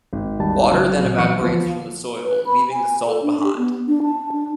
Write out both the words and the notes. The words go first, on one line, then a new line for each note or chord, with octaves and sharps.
Water then evaporates from the soil leaving the salt behind.
G#1
D#2 G3 A5
C#3 F#3
A#2 F#3 C4
E3 C#6 C#7
D2 F3 B3
B4
B5
G#5
A4
D4
G4
B3
D4
A5
D4